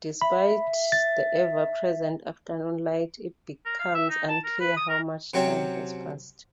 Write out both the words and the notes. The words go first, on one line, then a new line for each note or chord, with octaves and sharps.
Despite the ever-present afternoon light, it becomes unclear how much time has passed.
E5 B5
A6
A#4
F5
E5
D#4
A5
A#4
B4
D#6
A#4
C3 F#3 C4 C#4